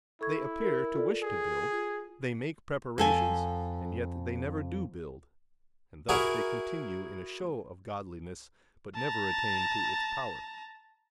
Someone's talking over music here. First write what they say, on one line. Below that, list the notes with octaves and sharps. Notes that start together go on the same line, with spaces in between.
They appear to wish to build, they make preparations, and yet they never do build; and thus they continue in a show of godliness, but never attain to its power.
E4 A4 C#6 G#6
A#4
F4 A4 D5
G#4
F4
F2 A4 G#5
E4 F#4 G#4 A#4
A5 A#5